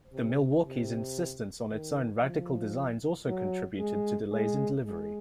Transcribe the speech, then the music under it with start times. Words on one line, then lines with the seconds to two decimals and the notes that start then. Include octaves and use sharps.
The Milwaukee's insistence on its own radical designs also contributed to delays in delivery.
0.13 C3
0.66 C3
1.70 D#3
2.22 F3
3.27 F#3
3.79 G#3
4.32 G#3
4.85 G#3